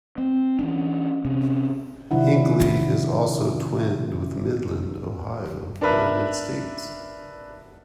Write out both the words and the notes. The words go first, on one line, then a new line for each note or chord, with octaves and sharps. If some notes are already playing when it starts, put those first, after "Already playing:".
Hinckley is also twinned with Midland, Ohio, United States.
C4
E3 C#4 D4
C3 C#4
C3 D#3 F3 D4 E4 F#5
D4 A#4 B4 E5